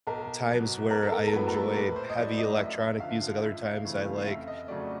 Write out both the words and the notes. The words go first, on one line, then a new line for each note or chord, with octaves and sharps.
times where I enjoy heavy electronic music, other times I like
B1 A#4
B2 F#3
B1 A#4
A4
A#4
A#4
A2 F#3 B3 B4
A#4
A4
A#1 B4
C5
D#5
A2 F#3 D5
D#5
F#2 E5
E5
D3 F3 F5
F5
C#2 E5
F5
C#3 E3 A3 C4
F5
F5
F1 E5
D#5
F2 C#3 F#3 A3 D5